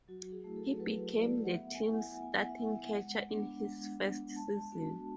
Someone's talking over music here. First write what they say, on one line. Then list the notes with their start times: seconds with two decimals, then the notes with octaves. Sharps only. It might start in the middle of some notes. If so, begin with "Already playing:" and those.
He became the team's starting catcher in his first season.
0.08 F#3 F#4
0.32 G#4
0.44 A3 E4
0.56 A4
0.80 F#3 B4
1.15 A3 E4 D5
1.44 F#5
1.51 B3 E5
1.75 G#5
1.86 E4
1.94 F#5
1.98 G#5
2.22 B3 G#5
2.36 F#5
2.49 E5
2.58 E4
2.63 F#5
2.93 G#3 F#5
3.29 B3 D4
3.65 G#3
4.00 B3 D4
4.36 G#3 A5
4.72 B3 D4 F#4 A5